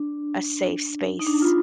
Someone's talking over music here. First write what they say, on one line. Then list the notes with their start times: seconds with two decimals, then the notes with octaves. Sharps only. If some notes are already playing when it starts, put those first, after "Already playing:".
a safe space
Already playing: D4
1.19 D#4
1.27 D4
1.42 F4